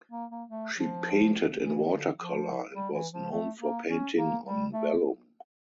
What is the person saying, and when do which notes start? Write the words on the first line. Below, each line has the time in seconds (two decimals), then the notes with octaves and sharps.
She painted in watercolour and was known for painting on vellum.
0.12 A#3
0.31 A#3
0.49 A3
0.77 F3
1.62 E3
1.91 D3
2.18 F3
2.75 G3
2.93 E3
3.13 F3
3.31 A3
3.60 A#3
3.88 C#4
4.16 A#3
4.45 G3
4.73 A3